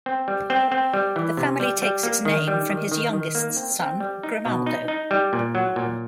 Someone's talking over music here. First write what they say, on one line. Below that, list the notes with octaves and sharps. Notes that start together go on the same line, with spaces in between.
The family takes its name from his youngest son Grimaldo.
C4
G3
C4
C4
G3
E3
C3
G3
G3
A#3
D#3
G3
D#3
D#3
D#3
A#3
C4
C4
G3
D#4
B2
D#4
D#4
G3
A#2
F#3
A#2